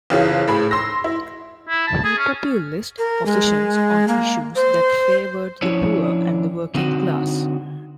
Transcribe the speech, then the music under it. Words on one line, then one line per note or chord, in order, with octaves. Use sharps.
He populist positions on issues that favored the poor and the working class.
F#1 C#3 E3 F4
A2 G#4 B5
C6 E6 A#6
E4
E4
A5
G#4
C#4
A#4
G#3
A#3
C5
F3 C#4 D4 E4 C#5
D3 C4 D#4 F#4